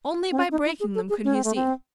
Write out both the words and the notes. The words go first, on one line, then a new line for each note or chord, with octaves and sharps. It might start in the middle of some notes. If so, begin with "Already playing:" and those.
Only by breaking them could he see.
C4
C#4
D#4
E4
G#4
A4
G#4
C#4
C4
A3
C4